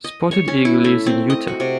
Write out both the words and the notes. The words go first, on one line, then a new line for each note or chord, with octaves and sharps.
Spotted Eagle lives in Utah.
D#5
C#5
C#4
E4
A3
C4
D#5
F#4
C3